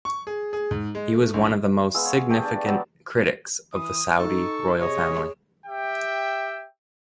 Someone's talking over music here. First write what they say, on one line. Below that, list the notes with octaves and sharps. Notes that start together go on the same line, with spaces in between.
He was one of the most significant critics of the Saudi royal family.
C#6
G#4
G#4
G#2
G#3
A3
A#1
G#3 B3 F5 E6
C#5
A3 G4 G#4
D4 D5
F#3 B3
E3 D#6
D#4 A4 C#6
C3 G#4 C#5 D#5
G4 E5 G5